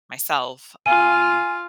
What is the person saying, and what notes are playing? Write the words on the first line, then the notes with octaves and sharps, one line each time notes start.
myself, um,
F4 F5 G#5 D#7